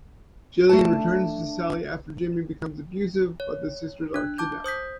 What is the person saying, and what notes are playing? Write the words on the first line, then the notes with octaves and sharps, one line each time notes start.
Gillian returns to Sally after Jimmy becomes abusive, but the sisters are kidnapped.
A3 D4 A5
C#5
D4 F#6
A5 D6 G6
C5 D#6 G6 B6